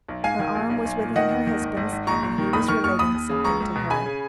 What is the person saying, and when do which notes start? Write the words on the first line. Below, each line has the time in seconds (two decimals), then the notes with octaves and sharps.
Her arm was within her husband's, and he was relating something to her.
0.08 B1
0.24 G#2 F5 G#5
0.39 D#3
0.55 A#1
0.70 B1
0.85 B1
1.00 A#2
1.16 D#3 D#5 F#5
1.31 D#2
1.47 D#3
1.61 G#1
1.77 G#1
1.92 G#1
2.07 A#1 A#5 C#6
2.23 A#1
2.38 D#3
2.53 F#1 B5 D#6
2.68 D#3 C#6 F6
2.83 F#1 C#6 F6
2.99 D#2 B5 D#6
3.14 D#2
3.29 C#3
3.44 C#2 A#5 C#6
3.60 C#2
3.75 B2
3.90 C#3 G#5 B5
4.06 C#3